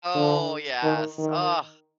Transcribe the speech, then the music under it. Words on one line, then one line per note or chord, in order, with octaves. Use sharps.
Oh, yes, ugh.
D3
D#3
D#3